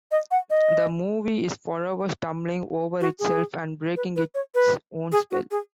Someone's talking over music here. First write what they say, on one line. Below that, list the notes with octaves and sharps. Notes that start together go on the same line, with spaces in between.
The movie is forever stumbling over itself and breaking its own spell.
D#5
F#5
D#5
F#4
G#4
B4
B4
C#5
B4
G#4
F#4
G#4